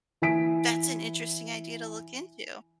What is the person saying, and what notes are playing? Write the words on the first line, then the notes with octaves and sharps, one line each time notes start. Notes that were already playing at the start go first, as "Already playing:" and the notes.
That's an interesting idea to look into.
E3 E4 G#5 B6 D7